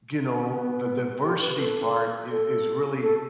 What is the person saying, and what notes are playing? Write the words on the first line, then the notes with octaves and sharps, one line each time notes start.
you know, the diversity part i is really,
B3
G4
B4
B4
A4
A4
A4